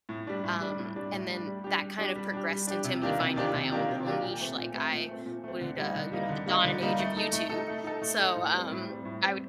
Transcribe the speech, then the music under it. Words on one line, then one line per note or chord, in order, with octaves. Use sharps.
um, and then that, kind of progressed into me finding my own little niche, like I would, uh you know, the dawn and age of YouTube. So, um, I would,
A2
G3 D4
A2
G3 D4
A2
G3 D4
A2
G3 D4
G3
D4 G4
G3
D4 G4
G3
D4 G4
G3
D4 G4
C3
D#3 A#3 D4 G4
C3
D#3 A#3 D4 G4
C3
D#3 A#3 D4 G4
C3
D#3 A#3 D4 G4
A#2
A3 C4
A#2
A3 C4
A#2
A3 C4
A#2
A3 C4
D3
G3 A#3 D#4
D3
G3 A#3 D#4
D3
G3 A#3 D#4
D3
G3 A#3 D#4
A3
D#4 A4
A3
D#4 A4
A3
D#4 A4
A3
D#4 A4
A2
G3 C4
A2
G3 C4
A2
G3 C4